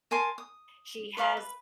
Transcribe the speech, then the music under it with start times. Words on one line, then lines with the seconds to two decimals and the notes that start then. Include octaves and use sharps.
She has
0.11 A#4 G#5 A5 C6
0.38 D#6
1.17 B4 D5 F5 A#5
1.37 B4